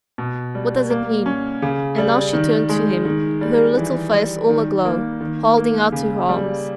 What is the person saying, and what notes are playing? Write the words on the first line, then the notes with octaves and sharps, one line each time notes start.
"What does it mean?" And now she turned to him, her little face all aglow, holding out her arms....
B2
G3
A#3
C#4
C#3
G3
D#3
G#3
D#3
G3
E3
G3
D#3
A#3
D#3
A#3
C#3
G3